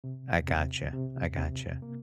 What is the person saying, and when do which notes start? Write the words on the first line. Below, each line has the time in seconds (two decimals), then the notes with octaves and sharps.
I gotcha, I gotcha.
0.04 C3
0.48 C3
0.93 C3
1.38 C3
1.82 A#3